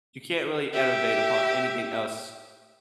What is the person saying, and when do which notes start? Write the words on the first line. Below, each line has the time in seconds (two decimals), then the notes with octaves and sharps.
You can't really innovate upon anything else
0.73 G4 E5